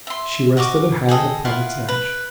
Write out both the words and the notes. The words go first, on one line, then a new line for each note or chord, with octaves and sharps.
She rested a hand upon its edge.
E5 C6
F#4 D#5 C#6 D6
G#4 A4 D#5 G5
E4 F4 B4 F#5
B4